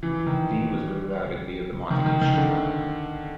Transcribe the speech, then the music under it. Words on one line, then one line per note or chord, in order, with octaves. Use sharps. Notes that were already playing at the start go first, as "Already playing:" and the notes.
The was rerouted via the Montague Street Tunnel.
E3
D#3
D#3
D#3
D#3
D3